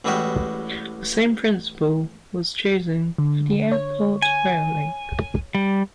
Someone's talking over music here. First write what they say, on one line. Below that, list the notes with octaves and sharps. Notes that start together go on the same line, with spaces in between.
The same principle was chosen for the airport rail link.
A1 E3 G3 G#3 F#4 G4
D3
C#5
G#5
G3